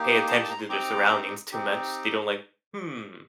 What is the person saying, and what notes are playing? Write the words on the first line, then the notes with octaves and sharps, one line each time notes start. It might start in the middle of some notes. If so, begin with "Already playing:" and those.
pay attention to their surroundings too much, they don't, like, "Hmm.
Already playing: A#3 D#4 G4
A5 C6
A5
A#5
C6
C4 D#4 G4 A#5 D6
C4 D#4 G4